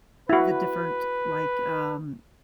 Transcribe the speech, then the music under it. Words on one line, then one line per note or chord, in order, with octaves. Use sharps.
the different, like, um
E4 F#4 B4